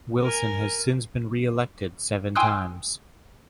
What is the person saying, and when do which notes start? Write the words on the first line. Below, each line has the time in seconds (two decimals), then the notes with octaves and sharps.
Wilson has since been reelected seven times.
0.22 A#4 G#5
2.36 G5 G#5 C6 D#6 E6 F#6